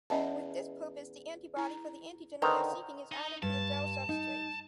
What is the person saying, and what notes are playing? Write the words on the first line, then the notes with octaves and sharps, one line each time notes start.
With this purpose, the antibody for the antigen we are seeking is added to the gel substrate.
E2 C#4 D#5 A5
E4 A#5
D3 D#3 B4 C5 D#5 A#5
D#4
G2 A5
D#4